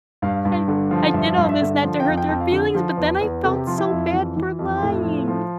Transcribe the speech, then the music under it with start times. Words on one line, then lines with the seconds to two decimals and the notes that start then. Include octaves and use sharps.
I I did all this not to hurt their feelings, but then I felt so bad for lying.
0.22 G2 F5
0.45 G2
0.68 D3
0.91 F3
1.14 G2 E5
1.26 E5
1.37 G2 F5
1.49 E5
1.61 D3
1.83 F3
2.00 G5
2.05 F2 F5
2.17 G5
2.29 F2 G5
2.40 F5
2.52 D3 A4
2.75 F3
2.97 E2
3.21 E2
3.44 C3 A4
3.55 G4
3.67 F3 F4
3.78 E4
3.90 F2
4.13 E3
4.36 E3
4.59 F2
4.77 F4
4.82 A2 E4
5.04 F3
5.28 F3